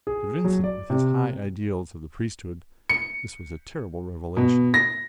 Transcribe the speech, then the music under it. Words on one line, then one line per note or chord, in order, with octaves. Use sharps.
To Vincent, with his high ideals of the priesthood, this was a terrible revelation.
G#4
F#3
D5
C3
C#7
B2
A#6